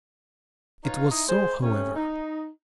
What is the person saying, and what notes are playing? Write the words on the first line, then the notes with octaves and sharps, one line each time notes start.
It was so, however.
D#4 F4 B4 C#5 F5
D#4 E4
G#3 C5
C3 A3 C#4
D#4